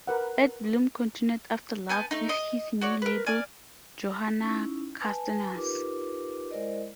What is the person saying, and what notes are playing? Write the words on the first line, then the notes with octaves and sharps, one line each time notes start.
Atte Blom continued after Love with his new label, Johanna Kustannus.
A#4 B4 F#5
B3 G#5 A5 G6
A3 D#4
D#5
F#4 C#5 D5
A#4 B4
D5 G#5 F6
C#4 D#4 E4
B4 G#5 A5
D#4 F4 G4 A#4 B4 D6
G#3 E4 A#4 C5 D5 D#5